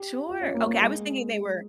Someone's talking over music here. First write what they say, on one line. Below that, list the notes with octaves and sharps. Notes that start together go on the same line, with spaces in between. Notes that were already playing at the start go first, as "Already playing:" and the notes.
Sure, okay, I was thinking they were
Already playing: G4
F4
C#4
A#3
A#3
G#3